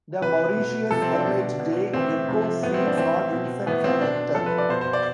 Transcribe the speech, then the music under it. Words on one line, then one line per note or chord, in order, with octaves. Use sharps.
The Mauritius ornate day gecko feeds on insects and nectar.
C3 E3 B4
B2
C3 F3 A4
C4
D4
B2
B2
A2 E3 C4
C3 F3
A2 F3 B3
C4
D4
A2 E3 C4
B2
A2 E3 B3
C4
B2 D4
C3 F3 A4
B4
D5
B2 C5
C5
D5